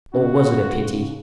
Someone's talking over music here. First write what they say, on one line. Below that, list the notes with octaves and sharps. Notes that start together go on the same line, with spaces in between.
Or was it a pity?
C#3 F#4
C#3
G#3
C#3
C#3